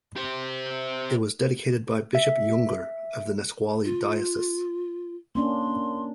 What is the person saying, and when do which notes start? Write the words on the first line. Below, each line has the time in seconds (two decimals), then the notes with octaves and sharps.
It was dedicated by Bishop Junger of Nesqually Diocese.
0.16 G4 C5
2.15 E5
3.85 F4
5.35 A#3 C#4 D4 C6